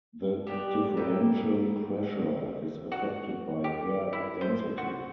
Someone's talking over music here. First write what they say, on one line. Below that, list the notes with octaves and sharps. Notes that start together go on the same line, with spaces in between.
The differential pressure is affected by air density.
B3 D4 D#4 G4
A#3 A4 B4 G5
F#4
G4
E4
C5
F#4